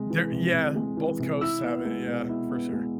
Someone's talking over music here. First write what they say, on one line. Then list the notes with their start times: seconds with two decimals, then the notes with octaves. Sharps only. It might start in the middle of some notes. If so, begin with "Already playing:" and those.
There yeah, both coasts have it. Yeah, for sure.
Already playing: C3 G#3
0.10 E3
0.32 C3
0.53 C3
0.76 G#3
0.97 E3
1.19 C3
1.41 E4 E6
1.63 B3
1.85 G#3
2.07 B2
2.29 E4
2.50 B3
2.73 G#3